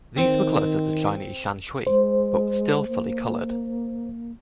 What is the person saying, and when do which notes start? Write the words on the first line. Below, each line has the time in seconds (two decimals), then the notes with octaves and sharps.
These were closer to Chinese shan shui, but still fully coloured.
0.17 D#3 C4
1.87 G#3 C5
2.88 A#3